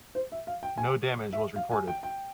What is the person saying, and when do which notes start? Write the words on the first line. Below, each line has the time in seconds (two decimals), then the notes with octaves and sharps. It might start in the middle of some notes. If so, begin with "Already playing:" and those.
No damage was reported.
0.15 C5
0.32 E5
0.47 F5
0.63 G5
0.78 G#5
1.33 E5
1.56 F5
1.72 G#5
1.87 G5
2.03 G5